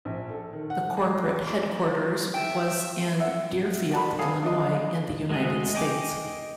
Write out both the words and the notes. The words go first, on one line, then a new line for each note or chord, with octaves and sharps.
The corporate headquarters was in Deerfield, Illinois in the United States.
A#1
A4
D#3
F#5
G#3
F#4
E2
D6
E5 G5
E5 F#5
F#4 A5 B5
G#4 A4 B4 F5
D4 F4 D#5
G#3 A3 F#4 G#4 D#5
D#5 G5 G#5 D6